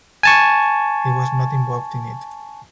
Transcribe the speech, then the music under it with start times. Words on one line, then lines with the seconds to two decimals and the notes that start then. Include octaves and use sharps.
He was not involved in it.
0.23 G#5 A5 C#6